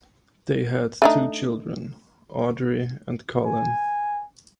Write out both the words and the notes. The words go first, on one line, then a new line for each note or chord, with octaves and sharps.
They had two children, Audrey and Colin.
A3 D4 D#4
G#5